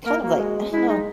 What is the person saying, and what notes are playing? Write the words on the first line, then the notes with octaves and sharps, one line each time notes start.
kind of like, I don't know,
A#3 A#4
A#3 F#4
G#3
G#3 E4
D#4